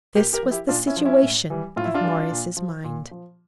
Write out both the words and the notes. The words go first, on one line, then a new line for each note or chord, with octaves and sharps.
This was the situation of Marius' mind.
A#2 G4 A#4
G4 A#4
F3
E4 G4
A#2 D4 F4
C#4 E4
F3
C#4 E4
A2
E3 G3
A2 F4
E4
D4 F4
E3 G3
A#2
F3
A#2
F3